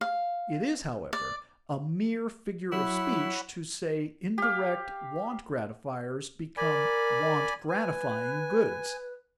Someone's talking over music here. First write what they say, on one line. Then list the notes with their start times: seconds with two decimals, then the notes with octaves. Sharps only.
It is, however, a mere figure of speech to say indirect want-gratifiers become want-gratifying goods.
0.01 F5
1.13 D5
2.72 F#3 E4 F#4 C#5 F#5 B5
4.38 G4 F5
6.57 A#4 D5 G#5 B5
7.69 B4 G#5